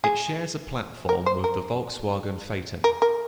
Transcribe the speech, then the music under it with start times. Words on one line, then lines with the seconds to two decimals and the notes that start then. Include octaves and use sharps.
It shares a platform with the Volkswagen Phaeton.
0.04 G#4
1.09 A#4
1.26 C5
1.44 A#4
2.84 A#4
3.02 A#4